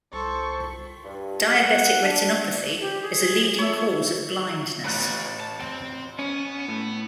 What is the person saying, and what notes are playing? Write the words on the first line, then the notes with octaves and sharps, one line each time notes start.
Diabetic retinopathy is a leading cause of blindness.
C2 A4 C5 C#6
G2
F#5
D4
G4
G#4
A4 C#5 E5
A1 C#3 F#6 A6
A5
C4
B3 C#4
A2